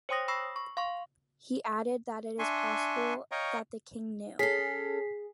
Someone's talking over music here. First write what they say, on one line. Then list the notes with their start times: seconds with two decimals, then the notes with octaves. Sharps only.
He added that it is possible that the King knew.
0.09 C5 C#5 G5 C6 D#6 A#6
0.28 B5 C#6 E6 A#6 C7
0.56 C#6
0.77 F5 C6 C#6
2.39 D4 E5 G#5 C6 C#6
3.31 C#5 D#5 F5 G5 A#5 C#6
4.39 C#4 G#4 A4 B6 C7